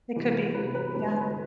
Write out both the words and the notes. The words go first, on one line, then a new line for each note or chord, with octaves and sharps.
It could be, yeah.
C3 E3 G3
C3 E3 G3 B4
B4
E2 D3 G3 B4
B4
B4